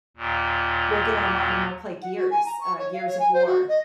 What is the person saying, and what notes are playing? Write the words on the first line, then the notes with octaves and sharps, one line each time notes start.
we'll get online and we'll play Gears, uh, Gears of War,
D#2 A#2
F#5
F#4
G#5
A#5
C#6
C#5
F5
C#5
G#5
C5
F#4
D#5